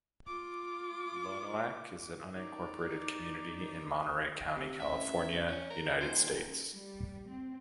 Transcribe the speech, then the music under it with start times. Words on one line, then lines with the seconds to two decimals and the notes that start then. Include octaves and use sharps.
Lonoak is an unincorporated community in Monterey County, California, United States.
0.26 F4 D6
2.36 D#4 D5
4.56 C3
4.80 A1 E5
5.48 C#4
5.70 A#4
6.01 D#1 C5
6.74 G3
7.28 C4